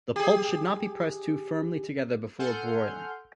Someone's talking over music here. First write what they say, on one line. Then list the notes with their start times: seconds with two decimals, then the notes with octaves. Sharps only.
The pulp should not be pressed too firmly together before broiling.
0.16 G4 G#4
2.39 A4 F#5 G#5 C6 F6 G6